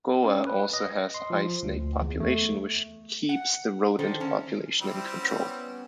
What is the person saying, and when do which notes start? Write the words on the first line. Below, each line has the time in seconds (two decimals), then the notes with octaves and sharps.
Goa also has a high snake population, which keeps the rodent population in control.
0.24 C#4
0.47 B4
0.73 D#5
1.14 C6
1.30 F3
1.63 D2
2.01 E2
2.20 A3
3.29 F#5
3.99 D#3 D4 A4 C5
4.20 C#4 A5
4.80 G3 C4 E4
5.17 B3 C#4